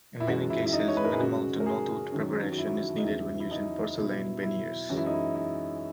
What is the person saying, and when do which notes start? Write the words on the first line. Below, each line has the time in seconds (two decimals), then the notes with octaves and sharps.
In many cases, minimal to no tooth preparation is needed when using porcelain veneers.
0.20 E4
0.27 F#2 E3 G#3 F#4
0.50 E4
0.65 E4
0.73 D#4
0.88 C#5
0.97 B4
1.04 A#4
1.12 G#4
1.19 F#2 C#3 G#3 F#4
1.60 A#4
1.66 G#4
2.12 F#2 D#3 F#3
2.52 F#4
2.58 E4
2.97 D#4
3.04 E2 C#3 F#3 E4
3.40 E4
3.51 D#4
3.97 B2 F#3 E4
4.43 E4
4.89 F#2 E3 G#3 F#4
4.97 E4
5.06 D#4
5.14 E4
5.35 E4